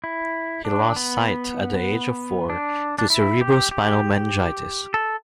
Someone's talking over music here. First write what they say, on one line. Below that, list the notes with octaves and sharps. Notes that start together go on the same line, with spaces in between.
He lost his sight at the age of four to cerebrospinal meningitis.
E4
D4
B3
D4
D4
E4
G4
G4
A4